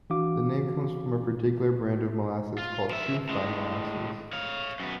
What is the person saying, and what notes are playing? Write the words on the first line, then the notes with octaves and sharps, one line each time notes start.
The name comes from a particular brand of molasses, called Shoofly Molasses.
E3 D4 F#4 F5 D6
F4
F3 E5
A2 G#3
C#5 F5
F#2 B3